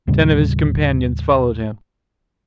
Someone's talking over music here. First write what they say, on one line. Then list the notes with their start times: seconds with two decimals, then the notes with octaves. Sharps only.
Ten of his companions followed him.
0.07 D#2 A2 C#3 G3